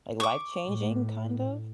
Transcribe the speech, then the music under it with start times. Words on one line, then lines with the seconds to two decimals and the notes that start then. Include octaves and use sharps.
A life changing, kind of?
0.20 C#6 D6
0.65 A2